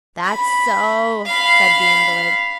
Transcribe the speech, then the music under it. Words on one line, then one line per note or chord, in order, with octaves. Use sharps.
"That's so," said the invalid.
B5
F5 B5